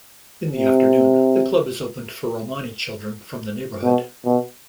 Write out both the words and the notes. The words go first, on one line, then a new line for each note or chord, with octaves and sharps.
In the afternoon the club is opened for Romani children from the neighbourhood.
C3
B2
B2